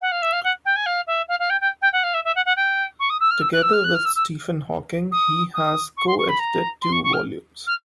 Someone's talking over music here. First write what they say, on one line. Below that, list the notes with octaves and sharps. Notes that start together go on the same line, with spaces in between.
Together with Stephen Hawking, he has coedited two volumes.
F#5
F5
E5
F5
F#5
G5
G#5
F5
E5
F5
F5
G5
G5
G5
F#5
F5
E5
E5
F#5
F#5
G5
C#6
D#6
E6
F6
E6
F#6
E6
F6
F#6
F6
E6
E6
D#6
D#6
C#6
C6
C#6
B5
A#5
C6
C#6
C#6
F6
F6